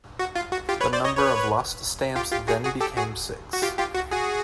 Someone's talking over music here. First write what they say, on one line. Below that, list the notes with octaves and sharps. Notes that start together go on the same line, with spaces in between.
The number of lost stamps then became six.
F#4
F4
F#4
F4 G4
B4 C#5
C5 D5
C#5 D#5
B4 C#5
F4 G4
F4 G4
F#4 G#4
F#4 G#4
G4 A4
F#4 G#4
F#4
F4 G4
F4 G4
F#4
F#4 G#4